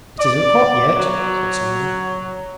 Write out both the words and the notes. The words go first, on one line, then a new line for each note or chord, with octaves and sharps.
'It isn't hot yet,' said someone.
D5
F#3